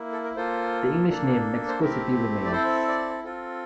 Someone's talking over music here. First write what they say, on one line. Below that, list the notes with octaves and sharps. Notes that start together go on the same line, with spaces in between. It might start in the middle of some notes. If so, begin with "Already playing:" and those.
The English name "Mexico City" remains.
Already playing: A#3 E4
A4
A#4
A#3 F4 A4 C5
A#3 D4 A4
C5
A3 C4 E4 G4 A#4
D5
C4 E4 A4 C5
D5
C4 F4 A4